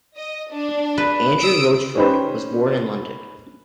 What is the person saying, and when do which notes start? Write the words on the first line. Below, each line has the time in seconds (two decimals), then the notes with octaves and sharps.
Andrew Roachford was born in London.
0.16 D#5
0.52 D4
0.98 B4
1.38 D#6 E6 D7
1.97 C#4 D#4 G4 B4 C5